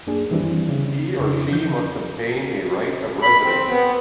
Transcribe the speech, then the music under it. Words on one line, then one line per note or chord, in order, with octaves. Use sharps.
He or she must obtain a right of residence.
F#2 A#3 D4 G#4
D#3 E3 G3 C4 D4 E4
C#3
F2 C#3 C4 D4 E4
E3 F3 G6
B5
C4
B3